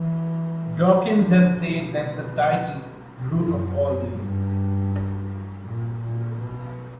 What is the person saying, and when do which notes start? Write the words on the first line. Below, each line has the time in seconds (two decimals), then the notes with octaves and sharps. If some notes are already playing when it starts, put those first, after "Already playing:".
Dawkins has said that the title The Root of All Evil?
Already playing: E3
1.20 D3
1.57 B2
3.43 F#2
4.17 G2
5.65 A#2
6.01 A#2
6.39 B2